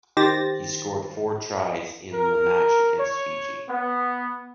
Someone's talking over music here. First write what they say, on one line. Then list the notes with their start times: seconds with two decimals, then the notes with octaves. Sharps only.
He scored four tries in the match against Fiji.
0.17 D#3 G4 C5 A6 A#6
2.13 A#4
2.98 C#5
3.68 B3